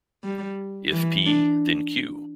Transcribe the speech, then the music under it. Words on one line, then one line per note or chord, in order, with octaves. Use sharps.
If P then Q.
G3
E3
D4